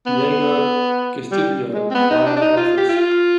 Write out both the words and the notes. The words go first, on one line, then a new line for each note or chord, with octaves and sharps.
Diego Gestido died in office.
B3
G3
G#3
C4
B3
D#4
D4
D4
D#4
F4
G4
F4